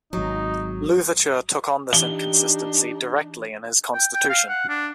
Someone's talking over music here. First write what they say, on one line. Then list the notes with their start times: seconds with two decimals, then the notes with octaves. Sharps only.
Louverture took on this inconsistency directly in his constitution.
0.13 D#1 G#1 F#3 D#4
1.93 E3 D4 D#4 G4 G7
3.94 G5
4.14 G5
4.29 F5
4.49 F#5
4.69 D4